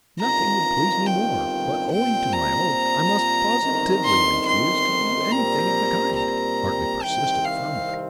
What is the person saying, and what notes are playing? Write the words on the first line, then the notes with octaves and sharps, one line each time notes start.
"Nothing would please me more, but owing to my oath, I must positively refuse to do anything of the kind," Hartly persisted, firmly.
G1 G2 D#3 C4 F4 A#5
G5
A#2 G3 C4 F4 C5 G5
A#5
G1 F2 D#3 C4 D#4
C6
C6
A#2 G3 C4 G4 A#4 A#5
A#5
C2 C3 D#3 C4 G5
F5